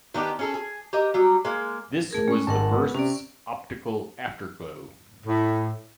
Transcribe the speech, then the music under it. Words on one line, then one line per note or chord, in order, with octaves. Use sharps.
This was the burst's optical afterglow.
D#3 B3 D4 G4
C#4 G#4 A4
G#4
G4 A#4 D#5
F#3 G3
G#3 A#3
A3 G#4 A#4
G#3 C#4 C#6
G#1 G#2 G#3 A#4 F#5 A5
B3
C3 C#4 D5
A2